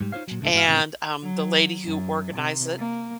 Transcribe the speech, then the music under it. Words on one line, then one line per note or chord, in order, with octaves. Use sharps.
and, um, the lady who organized it
G#2 G3
D#4 F4 G#4 C5 C#5 F5
A#2 F#3
C#2 A2 D4 A4
G#2 F#4 F5
A2 C#3 E3 C4
F#3
F#2
C3
A#3